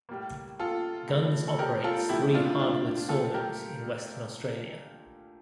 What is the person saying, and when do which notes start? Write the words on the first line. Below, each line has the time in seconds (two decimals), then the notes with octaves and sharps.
Gunns operates three hardwood sawmills in Western Australia.
0.09 A2 G3 A#3
0.59 F4 A4
1.09 G2 F3 A3
1.48 A4
1.59 G4 A#4
1.84 F4 A4
2.09 D2 C3 F3 A3 E4 G4
2.34 D4 F4
2.59 D4 F4
3.09 A#2 A3 F4 A4
3.34 G4 A#4